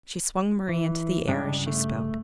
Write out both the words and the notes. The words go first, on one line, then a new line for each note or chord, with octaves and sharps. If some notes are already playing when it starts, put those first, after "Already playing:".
She swung Marie into the air as she spoke.
E3
G2 C#3 G#3 D4 G4
A3